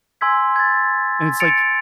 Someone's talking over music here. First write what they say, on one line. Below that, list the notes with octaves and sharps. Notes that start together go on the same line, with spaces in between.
and it's like
G#5 C6 E6 G#6 B6
G#6 A6
A6 C#7 D7 F7